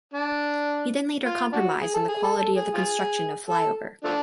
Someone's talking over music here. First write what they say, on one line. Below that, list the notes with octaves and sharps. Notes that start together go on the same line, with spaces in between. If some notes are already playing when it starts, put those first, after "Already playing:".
He then later compromised on the quality of the construction of flyover.
D4
F4
D4 F#4
G#4
A4
G#4
A4
A4
G#4
F4 G#4
A4
F3 A3 D4